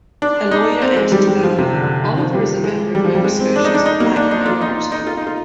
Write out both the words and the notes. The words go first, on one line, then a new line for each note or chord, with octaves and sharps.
A lawyer and developer, Oliver is a member of Nova Scotia's Black minority.
D4
D#4
C4
G#3
G3
G3
F3
C3
D3
D3
D#3
F3
G3
G#3
G3
F3
G3
G#3
C4
D4
D#4
D4
D#4
A#3
D4
D#4
F4
D#4
D#4
F4
D#4
F4